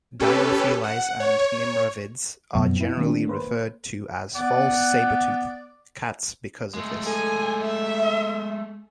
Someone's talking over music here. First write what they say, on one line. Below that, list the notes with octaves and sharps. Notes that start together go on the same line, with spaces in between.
"Dinofelis" and nimravids are generally referred to as "false saber-tooth" cats because of this.
C#4 G4 A4 B4
F#5
C#5
F#2 B2 F3 F#3 B3
C4 E4
D#3 G3 A3 A#3 C4 D4
A#3 B4 C5
B3 D5 F#5
G#3 A3
A4 G#5
E5